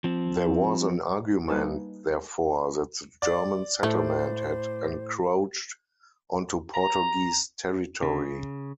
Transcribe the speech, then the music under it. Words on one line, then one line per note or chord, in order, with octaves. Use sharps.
There was an argument, therefore, that the German settlement had encroached onto Portuguese territory.
F3 C4
G3 A#3 D#4 B4 G#5 A5
D5
A2 A3 C5
A#5
C#3